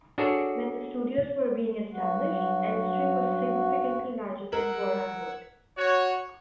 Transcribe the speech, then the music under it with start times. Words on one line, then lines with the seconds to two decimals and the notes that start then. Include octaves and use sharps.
When the studios were being established, Elstree was significantly larger than Borehamwood.
0.18 D4 F#4 G#4 A4 C#5 D5
1.93 G2 F#3 F#4
4.52 A#4 F#5 E6 G#6 F#7
5.77 F#4 C#5